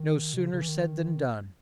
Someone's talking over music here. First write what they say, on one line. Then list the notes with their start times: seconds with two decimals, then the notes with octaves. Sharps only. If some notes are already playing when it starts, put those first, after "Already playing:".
No sooner said than done.
Already playing: D#3
0.34 B2
0.38 C#3
0.54 C#3
0.62 E3
0.68 D#3